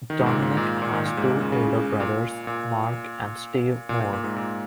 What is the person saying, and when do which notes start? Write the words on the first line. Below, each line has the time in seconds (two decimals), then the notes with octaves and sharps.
Dominic has two older brothers: Mark and Steve Moore.
0.10 D#3
0.19 G#2
0.26 A#2
0.42 G#2
0.57 A#2
0.82 A#2
0.93 D#3
1.05 A#2
1.17 G#2
1.29 A#2
1.40 C#3
1.52 C#3
2.00 A#2
2.47 A#2
3.89 A#2
4.00 A#2
4.13 A#2
4.24 G#2
4.36 A#2